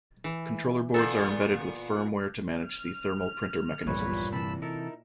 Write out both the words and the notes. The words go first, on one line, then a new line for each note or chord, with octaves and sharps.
Controller boards are embedded with firmware to manage the thermal printer mechanisms.
E3
A#2 B3 A4 C5
F6
A#1 E2 G2 A#2 G3 B4 C#5
C3 E3 A5 B5 E6
D#4 E4 A4 A#4